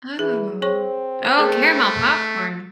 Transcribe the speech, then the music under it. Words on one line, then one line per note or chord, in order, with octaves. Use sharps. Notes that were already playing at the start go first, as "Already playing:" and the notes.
Oh. Oh, caramel popcorn.
E3 G#4
C4 G#4 C#5 C#6
A3 G#4 A#4